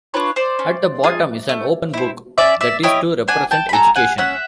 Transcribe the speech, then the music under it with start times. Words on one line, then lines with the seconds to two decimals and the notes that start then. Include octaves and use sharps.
At the bottom is an open book that is to represent education.
0.14 D4 F4 B4 C#5
0.36 C5 D5
0.59 C#4
1.03 F4 G#4
1.49 A3
1.94 C4 E4
2.38 C#4 D5 E5
2.61 D5 E5
2.83 E4 G4 C#5 D#5
3.28 D4 F#5 G#5
3.51 G5 A5
3.69 B5
3.73 F#4 A4 G#5 A#5
3.96 F#5 G#5
4.18 C#4 E5 F#5